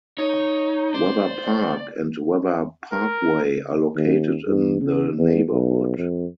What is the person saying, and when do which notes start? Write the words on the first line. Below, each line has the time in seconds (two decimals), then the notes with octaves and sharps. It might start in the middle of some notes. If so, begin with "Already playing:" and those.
Webber Park and Webber Parkway are located in the neighborhood.
0.18 D#4 C#5
0.94 C5 D5
2.92 A#4
3.96 D#2
4.47 G2
4.81 C#3
5.18 E2
5.51 B1
5.98 F2